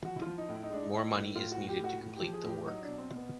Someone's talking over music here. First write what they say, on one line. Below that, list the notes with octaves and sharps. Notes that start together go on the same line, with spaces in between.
More money is needed to complete the work.
F3 F#4
E4
F4
F3
D#4
A2
E4
D#4
G#3 D4
D#4
A2
A2
A2 F4
F#4
A2
G4
A2 F#4
A2
G4
F3
G#4
A2
G4
F#3 D#4
D4
B2
C4
B2
B3